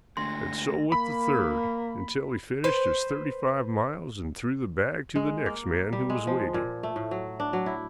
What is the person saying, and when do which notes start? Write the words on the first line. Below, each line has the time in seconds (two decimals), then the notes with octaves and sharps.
And so with the third, until he finished his thirty-five miles and threw the bag to the next man, who was waiting.
0.17 D2 G#2 D3 C6 A#6
0.92 A#3 B5
2.64 B4 C5
5.15 G#3
5.46 A#3
5.93 G3
6.09 G#3
6.27 F3
6.54 A#2
6.83 A3
6.96 A2
7.11 F#3
7.40 D4
7.53 F#3
7.66 E4